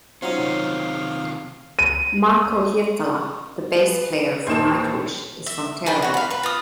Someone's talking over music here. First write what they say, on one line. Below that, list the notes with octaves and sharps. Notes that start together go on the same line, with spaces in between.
Marco Hietala, the bass player for Nightwish is from Tervo.
F3 F#3 C#4 D#4 F5
C3 D#3 F4
D#7
G#4 B4 D5
A#1 D#2 G#4 A4 C5 E7
E5
G#4 B4 G5 B5
F#4 C#5
F5 B5
B4 B5
F4 D#6